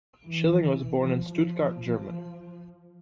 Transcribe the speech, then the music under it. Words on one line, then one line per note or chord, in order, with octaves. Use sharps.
Schilling was born in Stuttgart, Germany.
E3
F3
F3